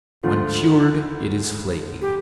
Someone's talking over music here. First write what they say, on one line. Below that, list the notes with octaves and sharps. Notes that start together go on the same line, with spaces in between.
When cured it is flaky.
D2 D3 F3 A3 F4
G4